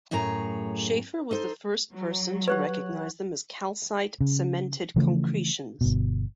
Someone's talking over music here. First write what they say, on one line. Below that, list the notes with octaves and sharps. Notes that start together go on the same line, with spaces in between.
Shaffer was the first person to recognize them as calcite-cemented concretions.
F#2 A2 G#4 C#5 A#5
D#4 A4 C5
F#3
G4 B4 C#5 F#5
C#3
C#3 E3 F3 A3
G1 B2